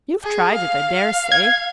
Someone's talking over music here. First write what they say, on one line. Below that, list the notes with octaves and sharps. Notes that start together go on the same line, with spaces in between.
You've tried it, I dare say.'
G#4
F5
G#6